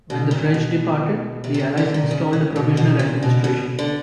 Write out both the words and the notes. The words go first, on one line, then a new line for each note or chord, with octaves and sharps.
When the French departed, the Allies installed a provisional administration.
B2
A#2
B2
C3
C3
C#3
D3
D#3
C#3
C#3
B2
B2
A#2
B2
B2
D3